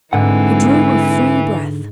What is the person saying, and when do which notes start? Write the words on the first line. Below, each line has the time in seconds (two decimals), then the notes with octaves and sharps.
He drew a free breath.
0.13 G#2 D3 E3 C4 E4 F#5